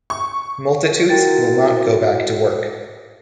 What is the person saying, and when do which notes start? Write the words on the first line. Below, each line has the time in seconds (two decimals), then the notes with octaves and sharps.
Multitudes will not go back to work.
0.10 C#6
1.09 E4 F#4 A#4 G5 A6